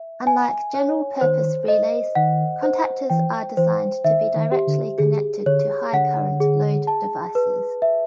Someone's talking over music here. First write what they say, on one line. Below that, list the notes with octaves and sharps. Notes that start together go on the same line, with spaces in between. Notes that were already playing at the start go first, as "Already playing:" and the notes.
Unlike general-purpose relays, contactors are designed to be directly connected to high-current load devices.
Already playing: E5
G#5
C#5
D#3 C5
D#5
D#3 F#5
C5
E3 G5
E3 C5
D#3 E5
D#3
G4
D3
D3 G#4
D3 C#5
D3 F#5
G#4
A5
B4
E5